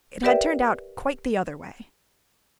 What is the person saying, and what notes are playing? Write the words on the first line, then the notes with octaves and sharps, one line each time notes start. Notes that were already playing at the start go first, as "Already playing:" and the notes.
It had turned out quite the other way.
G4 A#4 B4 D5 E5 G5